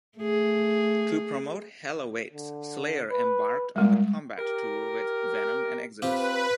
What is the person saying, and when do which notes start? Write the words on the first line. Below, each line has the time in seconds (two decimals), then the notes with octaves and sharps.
To promote "Hell Awaits", Slayer embarked on the Combat Tour with Venom and Exodus.
0.18 A3 G#4
2.33 D3
3.11 B4
3.76 A#2 G3 G#3
4.38 G4 A#4
6.02 C4 F4 G4 B4